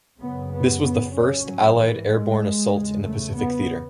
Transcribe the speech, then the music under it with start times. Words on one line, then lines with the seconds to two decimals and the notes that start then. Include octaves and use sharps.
This was the first Allied airborne assault in the Pacific Theater.
0.19 F#2 C#3 B3
0.51 B3
0.83 B3
1.14 C#4
1.46 G#2 F#3
1.78 E3
2.11 G#3
2.74 E2 C#3
3.06 A3
3.37 B3